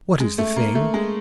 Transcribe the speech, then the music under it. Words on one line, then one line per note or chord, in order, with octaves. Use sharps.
"What is the thing?"
G#3
A3
A#3
A3
G#3